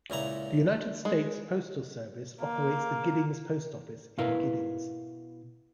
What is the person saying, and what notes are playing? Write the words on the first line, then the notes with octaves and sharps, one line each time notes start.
The United States Postal Service operates the Giddings Post Office in Giddings.
C#2 A#2 E4 A#5
G#3
A#3
B2 E4 A#4 B4 F5